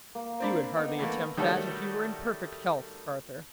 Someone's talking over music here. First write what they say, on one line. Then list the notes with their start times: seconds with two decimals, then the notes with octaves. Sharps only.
"You would hardly attempt that if you were in perfect health, Arthur."
0.15 A#3
0.40 C4 D4 B5
0.77 B3 D4 D#4
0.99 E3 A3 A#3
1.37 D#3 G3 A3 F#4 A4 C#5